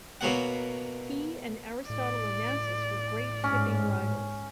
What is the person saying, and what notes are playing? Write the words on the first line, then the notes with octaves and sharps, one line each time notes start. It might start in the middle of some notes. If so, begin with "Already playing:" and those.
He and Aristotle Onassis were great shipping rivals.
B2 F#3 A#3 F#5
A2 D5
G#2 C#4